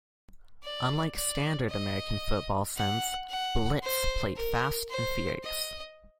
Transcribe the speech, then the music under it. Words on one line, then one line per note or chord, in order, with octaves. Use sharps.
Unlike standard American football sims, "Blitz" played fast and furious.
D5
D5
D#5
F#5
F#5
C5
A#4
C5
D#5